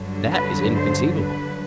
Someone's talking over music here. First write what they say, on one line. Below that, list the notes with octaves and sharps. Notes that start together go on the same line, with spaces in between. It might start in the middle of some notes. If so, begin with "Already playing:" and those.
That is inconceivable.
Already playing: G2 D3 F#3
B4
C5
B4